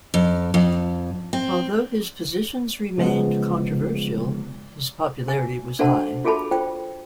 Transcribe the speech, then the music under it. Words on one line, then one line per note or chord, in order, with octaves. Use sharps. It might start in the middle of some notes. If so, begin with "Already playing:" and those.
Although his positions remained controversial, his popularity was high.
F2
F2
C4
C#3 F3 G#3 B3
G#5
D4 F#4 A4 C5 F#5 A5
F4 F#4 G#4 A4 A5 B5
F4 C5 G5